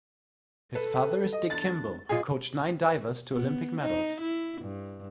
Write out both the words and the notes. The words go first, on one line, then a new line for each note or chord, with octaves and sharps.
His father is Dick Kimball, who coached nine divers to Olympic medals.
A4 B4
D#5
E2 D4 A6
F#2 A#2 F4 G#4 D#5
B3
D#4
E4
G2